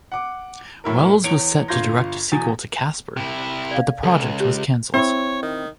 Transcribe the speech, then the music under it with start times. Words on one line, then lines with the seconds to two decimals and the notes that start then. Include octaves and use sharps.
Wells was set to direct a sequel to "Casper", but the project was cancelled.
0.12 F#5 D6
0.84 F#2 A2 E4 A#4
1.24 E2 C#5 C#7 D7 F7
1.68 G1 F4 C6 G6 G#6 A#6
2.32 E2 B2 G#5 A6
3.17 C3 E4
3.71 D5 F5
4.03 C#2 A4
4.40 G4
4.94 C4 E4 C#5
5.43 D#3